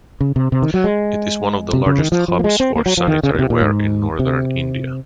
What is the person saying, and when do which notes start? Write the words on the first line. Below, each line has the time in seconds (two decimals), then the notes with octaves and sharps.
It is one of the largest hubs for sanitary ware in Northern India.
0.21 C#3
0.36 C3
0.52 C3
0.62 D#3
0.74 F#3
0.84 G#3
1.73 C3
1.86 C#3
1.99 D#3
2.12 F3
2.28 F3
2.39 A#3
2.44 G#3
2.60 C4
2.76 A#3
2.86 F#3
2.97 F3
3.08 D#3
3.23 C#3
3.35 A#2
3.39 C3
3.50 A#2
3.61 G#2
4.19 C3